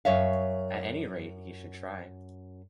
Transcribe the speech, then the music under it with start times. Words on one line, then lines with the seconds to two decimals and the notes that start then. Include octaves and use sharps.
At any rate, he should try.
0.05 F#2 C#5 E5 F5